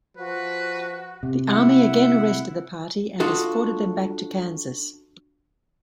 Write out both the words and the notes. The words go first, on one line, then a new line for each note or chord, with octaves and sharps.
The Army again arrested the party and escorted them back to Kansas.
F3 F#4 B4
C3
E4 F#5
D4 F4 F#4 A4 D#5